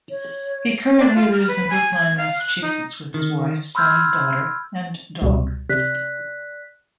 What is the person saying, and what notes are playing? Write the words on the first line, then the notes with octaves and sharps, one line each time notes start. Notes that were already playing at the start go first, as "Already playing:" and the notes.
He currently lives in Brookline, Massachusetts with his wife, son, daughter, and dog.
C#5
D4
F4
F6
B4
G#5
G#6
F5
F#6
D#4
D#3
B5 C6 E6 F6 G6 G#6
C#2 B2 G3
C3 D5 F#6 B6